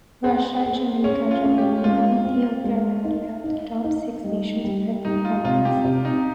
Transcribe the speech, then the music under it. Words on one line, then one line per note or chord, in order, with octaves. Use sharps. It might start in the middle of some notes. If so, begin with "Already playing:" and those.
Russia, Jamaica, Germany and Ethiopia rounded out the top six nations by performance.
C4 G#4
G#4
C#4 G#4
F4
C#4
G4
G#3 F4
C4
G#3
D#4
D#4
D#4
G3
G3
G3 D#4
F4
C3 F4
G4
C3
D#4